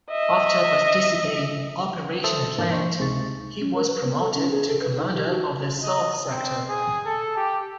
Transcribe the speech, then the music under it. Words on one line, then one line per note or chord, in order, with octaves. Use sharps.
After participating in Operation Atlante, he was promoted to Commander of the South Sector.
D#5 E5
A4 C5 E5 A5 D#6 E6
G#2 A#3 D4 F5 A5
D#4 C5 C#6
C#2 C3 G#3 D#4 C#6 A6
C#4
A#4
B4
B3
A4
C#4
G#4
A4
B4
D#4
G4
F#4
D#5
C4
G#4
A4
G4